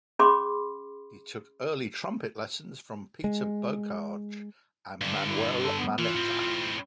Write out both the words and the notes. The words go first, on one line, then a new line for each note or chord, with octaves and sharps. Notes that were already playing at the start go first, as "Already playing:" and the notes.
He took early trumpet lessons from Peter Bocage and Manuel Manetta.
C#4 G#4 B5 C6 D6
G#3
G2 D3
E4
A4
B3
E3 F4
A2 C4